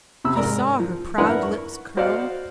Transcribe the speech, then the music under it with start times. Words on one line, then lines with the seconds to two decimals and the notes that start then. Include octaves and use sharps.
He saw her proud lips curl.
0.25 C3 B5 E6
0.36 G#2 A#4 D5 A#5
0.80 F3
1.18 D4 E4 A#4 B4 F#5 A#5
1.43 C#6
1.97 F#4 C5 D5 D#5 F5 F#5